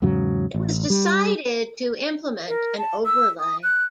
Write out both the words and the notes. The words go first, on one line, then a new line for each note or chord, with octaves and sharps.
It was decided to implement an overlay.
E2 G#2 C#3 F#3
A1
G3
A#4
A5
E6
D#6
F#6